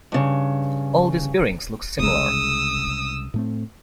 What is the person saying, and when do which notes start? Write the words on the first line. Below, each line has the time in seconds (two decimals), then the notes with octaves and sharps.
All these bearings look similar.
0.12 G2 C#3
1.99 C2 C#3 G#3 D#6 E6
3.34 A2 A3 C4